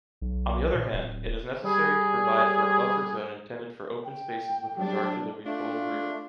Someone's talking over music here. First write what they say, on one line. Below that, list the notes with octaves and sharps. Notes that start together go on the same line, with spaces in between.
On the other hand, it is necessary to provide for a buffer zone intended for open spaces with regard to the Ripoll River.
B1
A#2
D1
G3 G#4
G5
F#3 G3 D4
A3 D4 F4